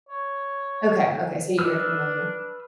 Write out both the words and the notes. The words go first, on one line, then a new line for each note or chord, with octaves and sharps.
Okay, okay, so you're familiar.
C#5
D4 B4 E6 F6